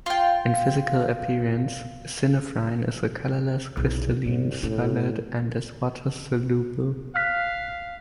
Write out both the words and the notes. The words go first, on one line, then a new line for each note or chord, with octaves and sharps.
In physical appearance, synephrine is a colorless, crystalline solid and is water-soluble.
F4 G5
B1 E2
C2 G2
A2 C#4
F5 F6 F#6 B6